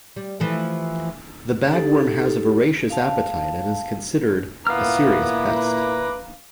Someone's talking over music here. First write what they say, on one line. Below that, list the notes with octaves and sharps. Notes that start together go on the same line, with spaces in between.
The bagworm has a voracious appetite and is considered a serious pest.
G3
E3 F3 A3
D#4 G4 A4
F5 A5
A#2 A#3 B3 E4 F5 A#5 D6 F6
B4